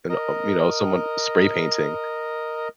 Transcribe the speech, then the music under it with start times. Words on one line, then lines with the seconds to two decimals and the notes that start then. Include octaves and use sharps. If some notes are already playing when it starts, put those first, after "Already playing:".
and, uh, you know, someone spray painting.
0.09 A#4 D#5